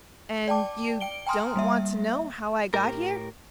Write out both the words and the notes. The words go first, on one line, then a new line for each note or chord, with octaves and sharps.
"And you don't want to know how I got here?"
D5 G5 A5 D6
G5 D7 G7
G5 G#5 A#5 C6 D#6 F6
G3 A#3 E5
A2 G4 A#4